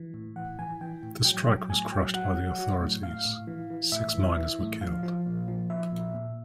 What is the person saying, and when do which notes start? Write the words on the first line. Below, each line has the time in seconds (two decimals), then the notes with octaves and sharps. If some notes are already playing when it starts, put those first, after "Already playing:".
The strike was crushed by the authorities; six miners were killed.
Already playing: E3
0.14 A2
0.36 E3 F#5
0.59 E3 G#5
0.81 E3 G5
1.03 A2
1.25 F#3 G5
1.48 F#3 G5
1.70 A2 G#5
1.92 F#3 G5
2.14 F#3 F#5
2.36 F#3
2.59 F#3
2.81 A2
3.03 A2 F5
3.25 A2
3.47 E3
3.70 E3
3.92 A2 E5
4.14 E3
4.36 E3
4.59 A2
4.81 F3 F5
5.03 F3
5.26 A#2
5.48 F3
5.70 F3 E5
5.92 A#2
6.15 A#2